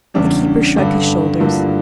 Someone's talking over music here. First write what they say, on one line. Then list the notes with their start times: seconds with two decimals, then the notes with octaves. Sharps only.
The keeper shrugged his shoulders.
0.14 E2 C#3 G3 D4
0.76 G2 D3 G3
1.39 G2 D3 F3 A#3 E4